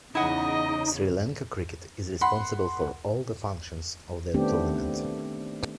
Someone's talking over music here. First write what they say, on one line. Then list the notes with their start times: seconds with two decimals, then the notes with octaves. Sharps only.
Sri Lanka Cricket is responsible for all the functions of the tournament.
0.15 E2 C#3 D#4 E4 D#5 F#5
2.21 F#5 B5 C6
4.34 D#3 A3 B3 C4 D4 G4